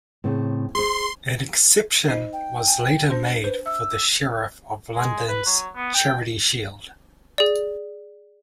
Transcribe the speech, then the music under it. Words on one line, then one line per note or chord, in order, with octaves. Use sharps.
An exception was later made for the Sheriff of London's Charity Shield.
A2 C#3 C4
G#4 C5 C6
D#4 C5 D#5
G5
G#5
D4 C5 C6
B4 C5
E5 E6
G#3
B4
F#3
B3
G5
G#4 D5